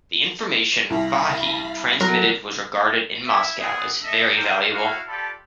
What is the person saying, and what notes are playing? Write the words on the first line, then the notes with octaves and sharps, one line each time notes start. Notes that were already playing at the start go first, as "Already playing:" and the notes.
The information Fahy transmitted was regarded in Moscow as very valuable.
C2 F5 B5 A#6
F#3 A4 A#4 A#5
E4 E5
B3 C4 G#4
A4 D#5 E5
G3 A3 C4 G4 A#4 C5
E4 F#4 F5
F4 G4 A4 D5 A5 B5